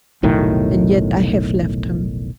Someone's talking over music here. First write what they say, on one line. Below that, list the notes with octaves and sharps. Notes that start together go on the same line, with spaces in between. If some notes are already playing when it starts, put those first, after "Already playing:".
And yet I have left him.
F1 B1 A2 D#3